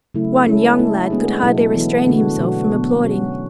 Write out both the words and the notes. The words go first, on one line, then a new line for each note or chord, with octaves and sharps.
One young lad could hardly restrain himself from applauding.
C#3 F#3 A3 E4
G#3 C#4 E4 A4
A3 E4 A4
G#3 B3 D4 G#4
B2 F#3 A3 E4 A4
E3 B3 E4 A4
D3 A3 D4 F#4
B2 F#3 B3 D4 F#4
B2 F#3 B3
B2 F#3 C#4 F#4